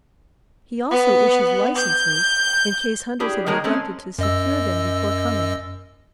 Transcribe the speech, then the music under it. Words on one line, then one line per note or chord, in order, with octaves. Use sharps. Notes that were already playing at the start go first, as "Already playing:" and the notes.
He also issues licenses in case hunters have neglected to secure them before coming.
B3
G6
D4 E4 G4 G#4
D#3 G#3 A#3 G#4 A#4 C#5
G#3 A3 C4 C#4
F#2 D#5 E6